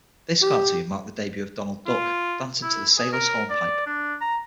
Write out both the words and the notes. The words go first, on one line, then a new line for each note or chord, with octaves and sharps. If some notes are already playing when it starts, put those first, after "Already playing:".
This cartoon marked the debut of Donald Duck, dancing to the Sailor's Hornpipe.
G4
F4
E4
G#4
A#4
D5
D4
A#5